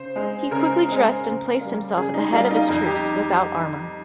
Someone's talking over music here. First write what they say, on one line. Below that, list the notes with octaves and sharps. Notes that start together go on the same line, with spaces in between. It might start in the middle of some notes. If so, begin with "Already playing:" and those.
He quickly dressed and placed himself at the head of his troops without armor.
Already playing: C#3 C5
G#3 C4
C#3 A#4
G#3 C4
C#3
G3 A#3
C#3 G#4
D#4
G3 A#3 F4
D#4
F2 D#4
G4